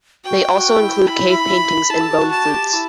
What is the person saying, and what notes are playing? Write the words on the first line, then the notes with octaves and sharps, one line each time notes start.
They also include cave paintings and bone flutes.
F#4 G5
F#4
E4
B5
E4 A5
A4
G4
F#4
A5
G4
E4